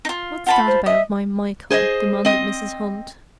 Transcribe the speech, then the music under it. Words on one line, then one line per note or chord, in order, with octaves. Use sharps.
"What's that about my Michael," demanded Mrs. Hunt.
D#4 F4
F4 F#5 A5 B5
C5
D#5 E5
G#4 C5 D5 D#5
C4 D#5